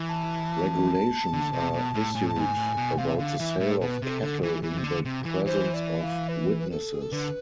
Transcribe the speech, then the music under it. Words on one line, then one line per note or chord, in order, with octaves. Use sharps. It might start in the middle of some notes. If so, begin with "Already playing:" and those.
Regulations are issued about the sale of cattle in the presence of witnesses.
Already playing: E3
A5
D3
C3
B2
A2
A2 G#5
A5
G#2 G#5
A2
B2
C3 F5
E5
D3 F5
E3 E5
A2
A4
B2 B4
C3 G#4
A4
D3
E3
E3
C3
D3
C3
E3
E3 C5
D5
F5
B4
B4
A4
G#4
A4
D3 B4